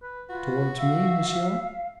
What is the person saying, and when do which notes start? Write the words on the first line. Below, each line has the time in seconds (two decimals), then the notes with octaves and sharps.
"Towards me, monsieur?"
0.03 B4
0.30 F4 F#4 B4
0.78 E5 F5